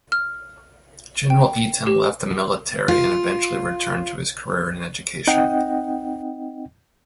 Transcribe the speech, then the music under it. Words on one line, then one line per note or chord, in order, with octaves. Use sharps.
General Eaton left the military and eventually returned to his career in education.
F6
G5
G4
F4
C4 D#4 D#5 F#5 G5